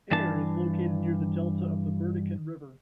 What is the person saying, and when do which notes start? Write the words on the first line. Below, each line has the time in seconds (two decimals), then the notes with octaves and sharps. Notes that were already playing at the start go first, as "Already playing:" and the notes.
Ayr is located near the delta of the Burdekin River.
0.11 G2 E3 D4 A5